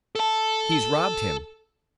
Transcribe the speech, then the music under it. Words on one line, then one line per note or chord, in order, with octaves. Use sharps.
He's robbed him!
A4 A5